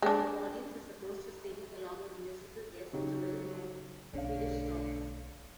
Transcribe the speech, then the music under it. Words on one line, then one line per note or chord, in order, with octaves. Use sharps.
The audience is supposed to sing-along with musical guests to well-known Swedish songs.
G#3 D4
C#3 F#3 D#4 G4
B1 D3 A3 C#4 A4 F5